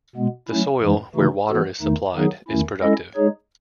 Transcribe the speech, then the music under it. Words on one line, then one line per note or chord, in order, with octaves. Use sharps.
The soil, where water is supplied, is productive.
B2 G#3 B3
F#3 A3 C#4 E4
F#2 E3 G#3 D#4
C#3 E3 A3 D#4 F#4
E3 B3 F#4 A4
E2 D#3 A3 D#4
D#3 F#3 B3 D#4 G#4
E2 D#3 A3 C#4 E4
G#3 C#4 E4 A4 D#5
G#3 D#4 G#4 C#5